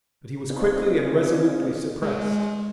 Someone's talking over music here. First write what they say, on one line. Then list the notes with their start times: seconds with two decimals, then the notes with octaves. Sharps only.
But he was quickly and resolutely suppressed.
0.50 B3 C4 D4 D#4 F4 G#4
2.02 G#3